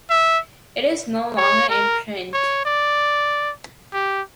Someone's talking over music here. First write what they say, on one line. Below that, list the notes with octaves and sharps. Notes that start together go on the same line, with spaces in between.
It is no longer in print.
E5
C#5
A#4
C#5
D5
G4